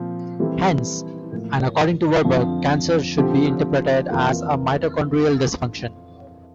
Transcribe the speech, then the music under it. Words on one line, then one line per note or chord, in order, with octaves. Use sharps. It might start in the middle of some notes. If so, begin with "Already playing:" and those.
Hence, and according to Warburg, cancer should be interpreted as a mitochondrial dysfunction.
Already playing: A#2 F3 C4
E3 G3 C4 E4 A4
A2 F3 A#3
F2 D3 F3 C4 F4
D3 F3 C4 G4
F2 E3 A#3 F4